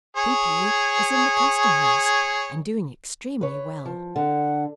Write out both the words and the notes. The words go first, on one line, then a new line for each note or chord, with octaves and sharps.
Peepy is in the Custom House, and doing extremely well.
G#4 C#5
B4 C#5
F3
D3 F#5